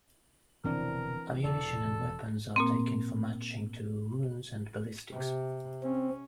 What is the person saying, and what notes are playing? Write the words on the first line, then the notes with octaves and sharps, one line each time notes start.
Ammunition and weapons are taken for matching to wounds and ballistics.
F1 B2 D3 E3 C4 D4 A#4
E1 C3 A4 D5
A#2 A#3 C4
C3
C4 C#4